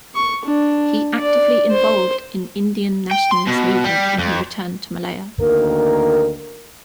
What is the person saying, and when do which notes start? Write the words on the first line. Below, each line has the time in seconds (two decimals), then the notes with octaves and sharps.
He actively involved in Indian nationalist movement when he returned to Malaya.
0.15 C#6
0.45 D4
1.20 D5
1.71 C5
3.11 G5
3.31 C6
3.47 B2
3.84 G3
4.19 F2
5.40 D2 D#3 A#3 A#4